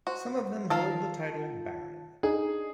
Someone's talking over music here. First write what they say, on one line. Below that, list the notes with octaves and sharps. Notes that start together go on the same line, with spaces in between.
Some of them hold the title baron.
F#4 C5
D#3 F4 A4 A#4 F5 A5
D4 D#4 G#4